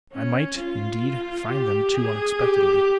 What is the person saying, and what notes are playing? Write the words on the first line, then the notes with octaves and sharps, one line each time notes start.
I might, indeed, find them too unexpectedly!
C#4
F4
G4
G#4
G4